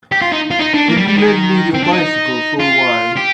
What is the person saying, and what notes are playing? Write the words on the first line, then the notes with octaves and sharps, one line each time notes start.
Can you lend me your bycicle for a while.
G4
F4
D#4
F4
D#4
D4
A#3
G3
G3
D#3
C4
D4
D#4
F4
G4